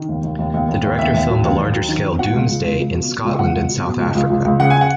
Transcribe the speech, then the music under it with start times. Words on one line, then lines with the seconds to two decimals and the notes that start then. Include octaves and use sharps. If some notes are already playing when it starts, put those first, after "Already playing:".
The director filmed the larger-scale "Doomsday" in Scotland and South Africa.
Already playing: D#3
0.09 D#2
0.23 D#2
0.39 D#2
0.54 D#2
0.68 D#2
0.83 D#2
0.99 D#2 E5
1.14 D#2
1.29 F#3
1.44 D#2
1.58 D#2
1.74 F#3
1.89 D#3
2.04 D#3
2.19 B2 F#5
2.34 C#2
2.49 C#2
2.64 C#2
2.80 C#2
2.94 B2
3.09 B2
3.24 C#2
3.39 C#2 F#5
3.54 C#2
3.69 B2
3.85 B2
4.00 C#2
4.15 C#2
4.30 C#2
4.45 C#2
4.59 C#3 F#5
4.70 G#5
4.81 F#5